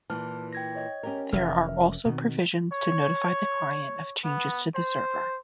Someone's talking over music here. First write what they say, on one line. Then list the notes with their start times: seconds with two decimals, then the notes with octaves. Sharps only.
There are also provisions to notify the client of changes to the server.
0.10 A#2 E3 A5 F6
0.53 G5 G#6 A#6
0.75 C#5 D#5 G#6
1.03 C#4 G4 A#4
1.33 F1 E3 E5 F6
2.06 B2 D#3 C4
2.72 C#5
4.24 B3
4.75 C5